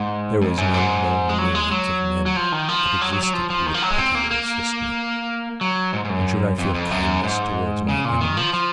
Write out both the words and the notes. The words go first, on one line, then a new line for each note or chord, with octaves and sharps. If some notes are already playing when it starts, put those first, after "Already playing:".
There was none among the myriads of men that existed who would pity or assist me; and should I feel kindness towards my enemies?
Already playing: G#2
F2
F#2
G#2
G#3
F#3
G#3
F#3
F#3
F3
D#3
F3
F#3
F#3
F#3
F3
F3
D#3
F3
F#3
G#3
C4
A#3
A#3
F#3
G#2
G#2
F#2
F2
F2
F#2
G#2
C#3
A#2
D#3
F3
F3